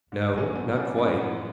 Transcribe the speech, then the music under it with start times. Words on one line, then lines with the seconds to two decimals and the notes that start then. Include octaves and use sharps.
"No; not quite."
0.12 D3
0.33 A2 F#3 A3 C#4
0.48 A2
0.55 B2 F#3
0.77 C#3 B3 D4 F#4
0.98 F#2 A2
1.19 E3 B3